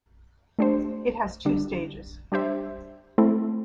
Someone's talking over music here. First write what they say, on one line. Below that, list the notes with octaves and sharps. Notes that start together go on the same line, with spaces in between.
It has two stages.
A3 D4 G4 C5
D3 G3 D4
G3 D4 G4 C5 E5
A3 C4 E4